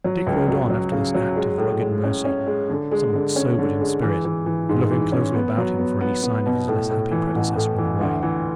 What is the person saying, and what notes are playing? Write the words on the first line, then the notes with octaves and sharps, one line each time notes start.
Dick rode on after this act of rugged mercy, somewhat sobered in spirit, and looking closely about him for any sign of his less happy predecessor in the way.
F#3
C#2
F#3
F#3
C#3
F#3
G#3
A2
G#3
C#4
C#4
G#3
D3
G#3
D3
C#4
D3
G#3
E3
E3
E3
G#2
E3
C#4
B3
F#3
B3
B3
B3
B2
A2
A2
E3
A1
A2
E3
D2
E3